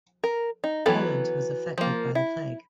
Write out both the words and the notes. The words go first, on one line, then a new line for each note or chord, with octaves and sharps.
Poland was affected by the plague.
A#4
D#4
E3 F#3 B3 A4
F3 A#3
E4